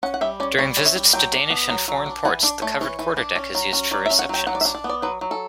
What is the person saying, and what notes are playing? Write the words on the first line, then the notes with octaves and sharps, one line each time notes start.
During visits to Danish and foreign ports the covered quarterdeck is used for receptions.
C#4 F#5
F#5
G3 E5
C#4 D5
G3 C#5
C#4
E5
G3
F#3 G5
D4
B3
F#3
F#3
D4
E3 F#5
D4 D5
A3 C#5
E3 C#5
E3
D4
C#4
F#3
C#4
F#3 D5
E5
C#4
F#5
F#3 G5
F#3 F#5
D5
E5
D4
D5
B3
D5
F#3 B4
F#3
A4